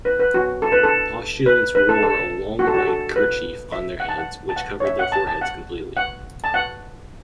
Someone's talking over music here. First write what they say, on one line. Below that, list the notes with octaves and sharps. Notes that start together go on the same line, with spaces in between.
Postulants wore a long white kerchief on their heads, which covered their foreheads completely.
B4
B4
F#4
A4
B4
A4
B4
B4
A4
A4
F#4
A4
F#4
A4
B4
E5
F#5
A5
F#5
A5
F#5
C#5
E5
F#5
A5
A5
F#5
F#5
A5
F#5